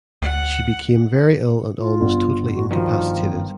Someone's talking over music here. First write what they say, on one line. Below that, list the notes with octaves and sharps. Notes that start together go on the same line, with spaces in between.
She became very ill and almost totally incapacitated.
D2 F#5
F4
G1
F#4
G2 D#3 F3